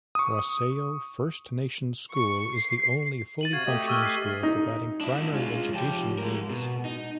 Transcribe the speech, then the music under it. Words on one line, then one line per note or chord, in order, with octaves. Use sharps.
Wasayo First Nation School is the only full functioning school providing primary education needs.
C#6 D#6
C#6
C7
A6 D#7 F#7
C3 F#4 F5 G#6
A3 G4 D#5
C#6 E6 F6
B6 C7
D#4
D4 E4
G#3 F4
F3 G4
G#3 A#4
B2
D#4